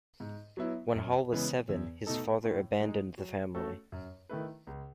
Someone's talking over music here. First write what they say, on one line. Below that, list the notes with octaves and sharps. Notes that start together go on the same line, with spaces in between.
When Hall was seven, his father abandoned the family.
G#2
F#3 B3 E4
F#2
C#3 E3 G#3 B3
E2
B2 A3 D#4 A4
A2
G#3 D#4
F#3
A3 C#4 F#4 A4
F#2
D#3 A3 E4 B4
C#2